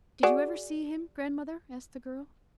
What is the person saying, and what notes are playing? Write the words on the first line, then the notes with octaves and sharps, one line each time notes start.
"Did you ever see him, grandmother?" asked the girl.
F#4 G#4 D5